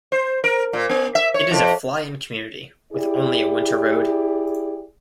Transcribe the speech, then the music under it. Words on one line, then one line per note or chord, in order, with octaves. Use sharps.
It is a fly-in community, with only a winter road.
C5
A#4
A#2
B3
E5
C#5
F2
E4 G4 G#4 D5